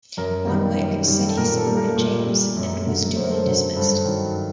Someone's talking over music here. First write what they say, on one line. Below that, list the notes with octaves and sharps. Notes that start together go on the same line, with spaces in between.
Bonwicke said he supported James and was duly dismissed.
F#2 A#4
D#3 G3 A#4
F#2
D#3 G3
A4
A#2 A#4
A4
G3
A#4
A#2
G3
F#2
D3 F#3
F#2 C5
A#4
A4 C5
D3 F#3
G2 A4 C5
D#3 F#3